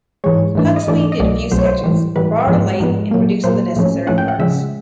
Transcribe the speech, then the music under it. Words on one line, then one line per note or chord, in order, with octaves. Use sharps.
Huxley did a few sketches, borrowed a lathe and produced the necessary parts.
G#2 E3 G#3 C#5
G#2 E3 A3 D4
D#5
G#2 E3 A3 D4 D5
D#5
C2 B2 F#3 A3 D5
C2 B2 F#3 A3 C5
C#5
C5
A2 E3 G3
A2 E3 G3 B4
G#2 F3 G#3 B3
G#2 F3 G#3 B3
A#2 F#3 A#3
A#2 F#3 A#3 C5
A2 F3 A3 C#4
A2 F3 A3 C#4 F#5
G5
F#5
C#3 F3 G#3 E5